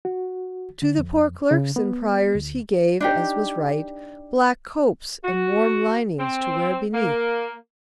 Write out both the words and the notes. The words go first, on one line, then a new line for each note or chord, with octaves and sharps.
To the poor clerks and priors he gave, as was right, black copes and warm linings to wear beneath.
F#4
D3
F2
C#3
B3
D2
D4 D#4 G4
F#4
C4
A#3